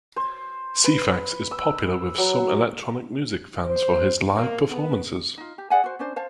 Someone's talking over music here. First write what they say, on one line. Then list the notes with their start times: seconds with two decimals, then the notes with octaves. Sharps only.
Ceephax is popular with some electronic music fans for his live performances.
0.16 C5
0.84 B4
1.51 E6
2.18 F#3
3.65 C5
4.36 A#3
4.70 B3
5.38 D#4 F4
5.58 G4
5.70 G#4 D5 F#5 G#5
5.84 F#4 C5
5.99 C#4 D4 C5
6.16 C5 F5 A5